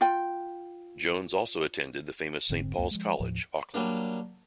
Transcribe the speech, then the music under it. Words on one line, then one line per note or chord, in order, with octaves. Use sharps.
Jones also attended the famous Saint Paul's College, Auckland.
F4 G5
F1 G#2 D3 C4
C#2 F#2 A#3
F3 G#3
D#2 A2 F3
F#3 G3 A#3 D4